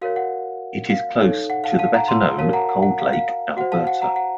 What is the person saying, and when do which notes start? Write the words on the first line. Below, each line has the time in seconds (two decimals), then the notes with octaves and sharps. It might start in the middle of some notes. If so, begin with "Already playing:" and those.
It is close to the better known Cold Lake, Alberta.
0.02 F#4 A#4 C#5 F5
0.16 F#5
0.90 F5
1.19 D#4 A4 C#5
1.50 F#5
1.64 F5 A5
1.79 F5 A5
1.94 F#5 A#5
2.08 A5 C6
2.38 F#4 A#4 C#5 F5 A5
2.53 F#5 A#5
2.69 F#5
2.83 F#5
2.98 F5
3.13 F5
3.57 F#4 C5 F#5
3.72 F5 A5
3.87 F#5
4.01 F#5 A#5
4.16 F#5